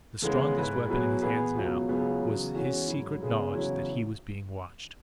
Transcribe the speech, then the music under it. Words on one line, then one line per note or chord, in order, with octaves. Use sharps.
The strongest weapon in his hands now was his secret knowledge that he was being watched.
E2 C#3 G#3 B3
G#2 G#3 E4 B4
B2 F#3 E4 G#4 B4
E3 B3 E4 G#4 B4
C#2 B2 F#3
C#2 C#3 F#3 B3 G#4
E2 C#3 F#3
E2 E3 G#3 C#4 F#4
G#2 F#3 E4
C#3 G#3 B3 G#4
E2 C#3 F#3 C#4 E4